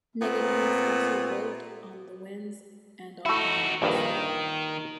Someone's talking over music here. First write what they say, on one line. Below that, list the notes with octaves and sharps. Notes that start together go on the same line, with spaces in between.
Nigidius also wrote on the winds and on animals.
A#2 A3 B3 C4
A3 D#4 E4 F#4
A#1 G2 D#3